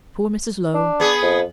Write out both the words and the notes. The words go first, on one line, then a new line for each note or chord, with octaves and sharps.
Poor Mrs. Low!
D4
B3 G#4
F2